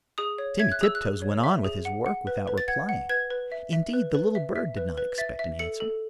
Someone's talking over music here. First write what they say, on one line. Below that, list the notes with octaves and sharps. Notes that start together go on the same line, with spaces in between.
Timmy Tiptoes went on with his work without replying; indeed, the little bird did not expect an answer.
G#4 D#6
C#5
E5 G#6
F#6
G#4 E6
F#6
G#4
C#5
E5
G#4
F#5
F#5
B4
B4
A6
F#5 G#6
F#5
B4 G#6
B4
E5
E5
B4
B4
E5
E5
B4
B4
E5 A6
E5
A4 C#7
A4